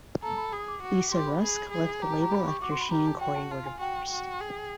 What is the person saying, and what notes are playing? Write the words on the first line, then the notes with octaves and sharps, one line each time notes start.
Lisa Rusk left the label after she and Corey were divorced.
A4 A#5
B5
G#4 D#6
D6
F#4
G4 C6
B5
G#4
G#4
G4 A#5
A5
A#5
B5
C#6
F#4 D6
C6
B5
G4 A#5
A5
F#4 G5
A5
F4 A5
G#5
F#4 G5
F#4
G#4